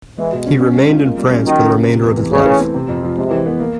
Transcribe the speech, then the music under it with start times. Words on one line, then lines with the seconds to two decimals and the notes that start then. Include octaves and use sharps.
He remained in France for the remainder of his life.
0.18 E3 G#3
0.32 B2
0.47 C#4
0.61 C#4
0.75 G#3
0.89 F4
1.04 A#3
1.18 G3
1.32 C#4
1.46 D#3 F#3
1.60 C#3
1.75 A#3
1.89 C3
2.03 E2
2.17 E3
2.31 C#3 A3
2.46 E3
2.60 C4
2.74 C3
2.88 F2
3.03 F3
3.17 C3 G#3
3.31 E3
3.46 B3
3.60 A#3